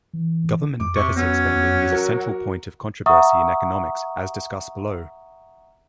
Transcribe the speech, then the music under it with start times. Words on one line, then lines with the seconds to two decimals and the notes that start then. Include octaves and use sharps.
Government deficit spending is a central point of controversy in economics, as discussed below.
0.13 E3
0.80 F2 D6
0.96 C3 C#6
1.16 F#3 B3 C#4
1.91 F#4 A#4
3.06 E5 F#5 A#5 C#6 D#6 E6